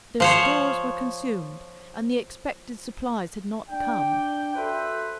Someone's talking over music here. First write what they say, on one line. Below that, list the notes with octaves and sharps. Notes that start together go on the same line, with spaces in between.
Their stores were consumed, and the expected supplies had not come.
F3 C5 C#5
D4 G5
F#4 A4 B4 C5 E5